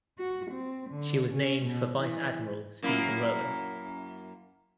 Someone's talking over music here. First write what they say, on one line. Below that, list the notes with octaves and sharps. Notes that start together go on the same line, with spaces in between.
She was named for Vice Admiral Stephen Rowan.
F#4
C4
D3
C#4
B2
E3
F#2 A#3 E4